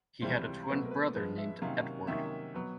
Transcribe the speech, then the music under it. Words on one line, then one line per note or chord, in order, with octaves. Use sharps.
He had a twin brother named Edward.
C#2 C3 E3 G3 C5
B2 F#3 A3 C4 B4
A#4
B4
G#2 F3 G#3 B4
E5
C3 D#3 F#3 A#3 C#4 F5
C3 D#3 F#3 A#3 C#4 E5
B2 F#3 B4